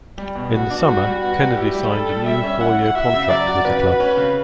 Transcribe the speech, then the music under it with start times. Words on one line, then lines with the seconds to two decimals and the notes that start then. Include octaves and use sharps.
In the summer Kennedy signed a new four-year contract with the club.
0.18 G3
0.35 B2
0.52 B2 F#4
0.70 D4
0.87 G3 F#4
1.05 G3
1.23 B3 F#4
1.40 G3
1.57 E4 G4
1.74 G3
1.92 G3 A4
2.09 G3
2.26 G3 E5
2.43 C#4
2.61 E4 F#5
2.78 E4
2.95 F#4 E5
3.13 C#3
3.30 F#3 D5
3.48 F#4
3.65 C#3 B4
3.83 F#4
4.00 C#4
4.17 C#3